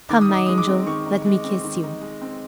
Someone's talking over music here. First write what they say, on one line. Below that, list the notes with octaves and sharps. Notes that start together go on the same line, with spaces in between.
"Come, my angel; let me kiss you."
D#3 D6
D#6
D#4 D6
G#3 D#6
D6
C4
D#3 C#6
D#4
G#3
C4
D#3
D#4
G#3
C4